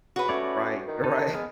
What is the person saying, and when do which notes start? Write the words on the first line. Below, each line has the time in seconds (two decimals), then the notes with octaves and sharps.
R right, right,
0.16 C#3 F#4 B4
0.29 A3 C#4 C#5 D5
0.88 D#3
1.04 D#4 A4
1.34 G#3 B3 F6